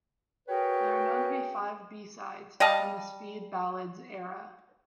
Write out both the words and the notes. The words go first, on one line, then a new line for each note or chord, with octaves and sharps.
There are known to be five B-sides from the "Speed Ballads" era.
F#4 G#4 A#4 B4 C#5 G5
G3 D#5 F5 A5